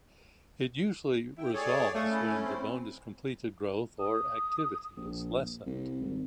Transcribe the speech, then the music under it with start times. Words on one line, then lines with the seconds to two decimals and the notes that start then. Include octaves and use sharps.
It usually resolves when the bone has completed growth or activity is lessened.
1.38 E4 G5
1.54 G#4 A4 C#5 D5
1.95 A3 F5 C#6 D#6
2.10 C#4 E4
2.46 C4
4.00 D#6
4.97 A#1
5.66 C2
6.02 G#1